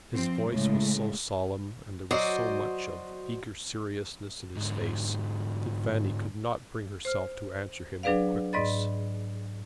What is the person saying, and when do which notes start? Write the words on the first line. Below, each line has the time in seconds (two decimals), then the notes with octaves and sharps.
His voice was so solemn, and there was so much of eager seriousness in his face that Fanny could not bring herself to answer him with quickness.
0.15 F3 C4
0.49 A2 C#3 G#3
2.11 F#3 F#4 C5 D5 D#5
4.56 G#2 D3
7.05 C5 F6
8.03 F#3 D4 G#4 B4 D5 F5
8.53 G#2 D5 D#5 B5 A6